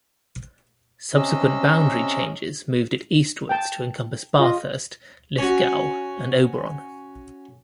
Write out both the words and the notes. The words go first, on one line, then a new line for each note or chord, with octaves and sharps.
Subsequent boundary changes moved it eastwards to encompass Bathurst, Lithgow and Oberon.
C3 C#4 D#5 E6
G5 A5
F4 D#5 F5
C#4 F#4